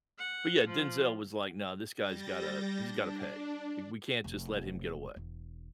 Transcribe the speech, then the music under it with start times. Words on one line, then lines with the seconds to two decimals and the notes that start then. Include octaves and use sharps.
But, yeah, Denzel was like, "No, this guy's gotta he's gotta pay. We we can't just let him get away."
0.19 F#5
0.68 F3
1.97 G3 G6 A6 A#6
2.78 D4
4.24 F1
5.16 E1